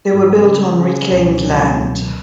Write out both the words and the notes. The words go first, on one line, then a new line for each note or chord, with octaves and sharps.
They were built on reclaimed land.
G#2 F#3 A3 E4 A4
C#3 F#3 C#4 G#4
C#3 F#3 C#4 G#4
C#2 B2 F#3 C#4
C#2 B2 F#3 C#4
C#2 B2 F#3 B3